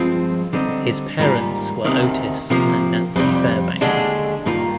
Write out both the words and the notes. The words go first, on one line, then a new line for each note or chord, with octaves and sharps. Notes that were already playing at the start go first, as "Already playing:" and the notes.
His parents were Otis and Nancy Fairbanks.
Already playing: G2 F3 G#3 C4 F4
D3 G3 C4 D#4
G#2 D#3 G3 A#3 F4
D2 C3 D#3
C3 F3 A#3
F2 C3 G3
D#2 D3 G#3 D4
G2 D#3 A#3 F4